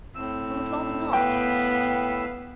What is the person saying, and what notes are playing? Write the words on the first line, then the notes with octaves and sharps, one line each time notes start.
I would rather not.'
A2 C4 E6
B3 B4 F5 G5